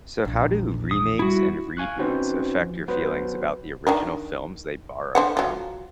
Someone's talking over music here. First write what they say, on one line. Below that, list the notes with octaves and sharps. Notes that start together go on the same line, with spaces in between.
So how do remakes and reboots affect your feelings about the original films they borrow from?
A#1 E2
D#6
G3 E4 F#4
F5 G#5 C#6 F#6
C4 C#4 D#4 F#4 B4 C5
F3
F#3 B3 B4 C5
D#3 D4 A#4
D3 C5 F#5
F#3 F4